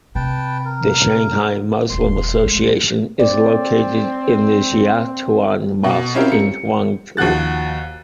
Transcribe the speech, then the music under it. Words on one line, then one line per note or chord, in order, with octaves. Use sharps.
The Shanghai Muslim Association is located in the Xiaotaoyuan Mosque in Huangpu.
C3 B4 G5 A5
A#4
E1 D#2 C6
G#3 D4
C4 D5
B2
C4 C#4 E4 F4 G4 A#4
C#7
D#2 F3 F#4 F#6 A6